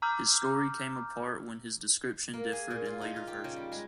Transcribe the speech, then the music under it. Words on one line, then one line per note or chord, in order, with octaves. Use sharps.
His story came apart when his description differed in later versions.
A#5 D6 E6 F6 G6
A#3
G#4
A#2
F4
D#4
F4
G4
C#3
G3
G#3